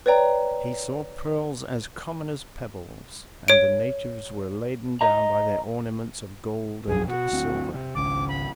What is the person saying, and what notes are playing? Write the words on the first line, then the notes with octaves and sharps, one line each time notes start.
He saw pearls as common as pebbles, and the natives were laden down by their ornaments of gold and silver.
B4 C#5 D5 G5 A#5
C#5 D7
D#5 A#5
B1 F2 F#3 G#4
B2 F#4
D2 C4
C3
G#1 C#2 C#3 D6
B5